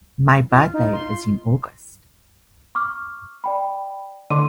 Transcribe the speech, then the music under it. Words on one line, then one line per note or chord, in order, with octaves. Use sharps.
My birthday is in August.
F4
D#4
C6
C#6 D6 F6
D5 G5 B5
D3 C6 D6 D#7